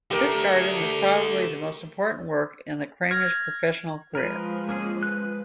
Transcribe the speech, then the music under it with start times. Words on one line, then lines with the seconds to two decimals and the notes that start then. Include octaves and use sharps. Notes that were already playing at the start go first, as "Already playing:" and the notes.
This garden was probably the most important work in Cramer's professional career.
0.11 D3 A3 G4 A#4
3.11 F6 G#6 A#6
4.15 F3 G#3 A#4 B4
4.69 A#3 C#4 G#4
5.03 B4 F#6